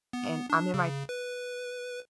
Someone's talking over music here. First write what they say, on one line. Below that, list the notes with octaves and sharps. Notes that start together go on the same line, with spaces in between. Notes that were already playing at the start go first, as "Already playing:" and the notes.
and I'm in my
B3
D4
C#3
B4